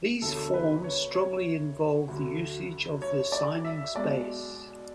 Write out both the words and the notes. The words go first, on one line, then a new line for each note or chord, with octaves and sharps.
These forms strongly involve the usage of the signing space.
E1 D2 D3 A4
B4
C#5
C#5
D2 D3 F#3
C#5
D5
E5
B1 B2 G#3 D5